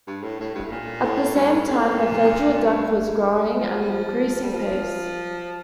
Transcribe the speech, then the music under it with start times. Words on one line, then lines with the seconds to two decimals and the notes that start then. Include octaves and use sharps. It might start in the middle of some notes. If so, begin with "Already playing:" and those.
At the same time, the federal debt was growing at an increasing pace.
0.07 G2
0.24 A2
0.40 A2
0.55 G2
0.66 A2
0.71 A#2
1.04 A2
1.35 G2
1.67 A2
1.99 A#2
2.62 G2
2.95 G2
3.59 F3
3.80 G3
3.90 F3
4.43 G3
4.54 F3